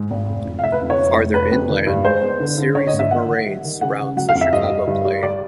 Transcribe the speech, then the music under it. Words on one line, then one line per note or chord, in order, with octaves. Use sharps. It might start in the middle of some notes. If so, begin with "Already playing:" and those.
Farther inland, a series of moraines surrounds the Chicago Plain.
Already playing: G#2
G#1
F1
F2
F5
F1 E5
B4
F2
C#5
F2
F1
F1 B4
F2
D#3
G2
G#3 C5
B3
D3
D3
D3 C#5
D#5
G#1
E5
D#3 F#5
D#3
G3
D#3
C#3 F#5
C#3
F#3 F#5
F5
F2
E5
G2 D#5
G3
G2
G3
G3 D5